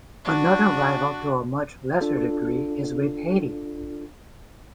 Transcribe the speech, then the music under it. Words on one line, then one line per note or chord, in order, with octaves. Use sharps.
Another rival to a much lesser degree is with Haiti.
D4 F#4
D4 F4 A4